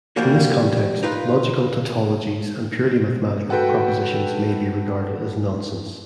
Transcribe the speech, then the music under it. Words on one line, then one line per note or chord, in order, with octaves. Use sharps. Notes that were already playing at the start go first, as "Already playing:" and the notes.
In this context, logical tautologies, and purely mathematical propositions may be regarded as "nonsense".
F3 G3 A#3 F#4
D#4 F4 B4
F#4 A4 B4 G5